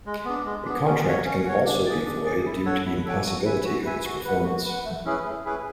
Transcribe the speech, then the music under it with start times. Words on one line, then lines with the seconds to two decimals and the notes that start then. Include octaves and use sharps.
A contract can also be void due to the impossibility of its performance.
0.06 G#3
0.25 B3 D4
0.46 G#3
0.65 B3 D4
0.86 C#4
1.06 F#4 C#5
1.25 C#4
1.46 F#4 C#5
1.65 D4
1.86 G#4 D5
2.05 D4
2.25 G#4 D5
2.46 E4
2.65 A4 C#5 F#5
2.85 E4
3.05 A4 C#5 F#5
3.25 F#4
3.45 B4 E5 G#5
3.65 F#4
3.85 B4 E5 G#5
4.05 F#4
4.25 B4 F#5
4.45 F#4
4.64 B4 F#5
4.85 A3
5.05 C#4 E4 G#4 B4
5.25 A3
5.45 C#4 E4 G#4 B4